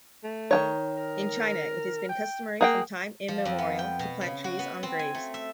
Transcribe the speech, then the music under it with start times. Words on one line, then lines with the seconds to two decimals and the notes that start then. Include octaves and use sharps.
In China it has been customary from time immemorial to plant trees on graves.
0.24 A3
0.51 D#3 E3 C#5
0.97 A#4
2.09 G5
2.61 A#3 G#4 F#5 G5
3.28 F3
3.45 F2
3.58 B3
3.79 G5
3.99 B2
4.21 C#3
4.44 F#4
4.59 B3
4.83 C4
4.99 G#5
5.15 A3
5.34 E5